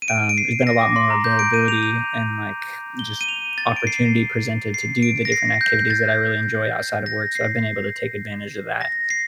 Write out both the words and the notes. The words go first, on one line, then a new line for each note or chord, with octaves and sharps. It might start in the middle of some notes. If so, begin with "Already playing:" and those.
um, there's been a lot more availability and, like, just opportunity presented to do the different activities that I really enjoy outside of work so I've been able to take advantage of that,
D#7
D7
D7
C7
A#6
D6
C6
A#5
G6
D7
D#7
F7
F7
G7
D#7
F7
A6
D7
C7
C7
D7
A#6
C7
G6
A6
A#6
C7
A#6
C7